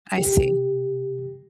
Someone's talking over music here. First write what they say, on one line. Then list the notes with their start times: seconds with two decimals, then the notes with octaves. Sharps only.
I see.
0.18 C3 G4